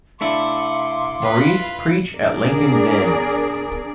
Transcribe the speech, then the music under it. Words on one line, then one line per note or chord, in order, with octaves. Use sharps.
Maurice preach at Lincoln's Inn.
A3 D4 E4 F5 C6 D6
F4 B4
B3 D4 G#4 A#4 D5